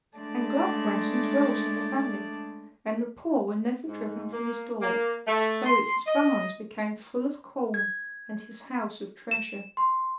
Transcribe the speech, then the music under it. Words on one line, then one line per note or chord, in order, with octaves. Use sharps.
And Gluck went and dwelt in the valley, and the poor were never driven from his door, so that his barns became full of corn and his house of treasure.
G#3 A3 D4 D5
G#2
A#3
A#3
A3
C6
D#5
G#6
E7
C6